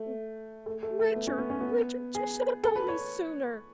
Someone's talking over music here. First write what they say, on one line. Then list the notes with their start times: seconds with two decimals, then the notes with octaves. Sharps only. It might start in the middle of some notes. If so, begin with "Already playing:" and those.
'Oh! Richard, Richard, you should have told me sooner!'
Already playing: A3
0.66 A3
0.83 A3
0.99 A3
1.15 B3
1.27 C#4
1.38 B3
1.50 C#4
1.60 B3
2.15 G#4
2.64 A4
2.76 B4
2.88 C#5